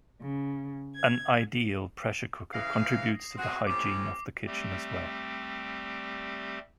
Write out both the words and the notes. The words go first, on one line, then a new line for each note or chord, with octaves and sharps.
An ideal pressure cooker contributes to the hygiene of the kitchen as well.
C#3
G#6
C#3 E3 F5 D#6 A#6 C7
C4 F#4 G#4
A2 C3 C#4 D6
G3 A3 C4 G4